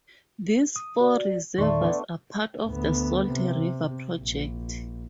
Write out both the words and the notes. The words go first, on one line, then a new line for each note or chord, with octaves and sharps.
These four reservoirs are part of the Salt River Project.
D#6
F#4 D5
E2 A#2 D#3 A3 D5 C6 C#6
B3 D4
D2 B3
C3
A#1